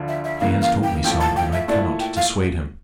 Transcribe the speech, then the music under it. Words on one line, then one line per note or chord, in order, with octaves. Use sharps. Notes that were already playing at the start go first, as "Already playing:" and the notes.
He has told me so, and I cannot dissuade him.
Already playing: D2 D3 F3
E5
E5
C#3 E3 A#3 F5
F5
G5
A2 F3 A3 G5
A5
G5
E5
A#2 A3 E4 D5
G5
F5